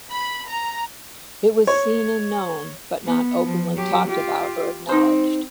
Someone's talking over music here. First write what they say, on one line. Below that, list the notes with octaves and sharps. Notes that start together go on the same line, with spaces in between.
It was seen and known but not openly talked about or acknowledged.
B5
A#5
C#5
B3
F3
F#3 G4
F4 G4
C4 D#4 C5